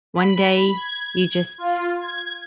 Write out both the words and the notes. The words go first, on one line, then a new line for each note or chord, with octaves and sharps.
one day, you just
B5
G#6
F4
G#6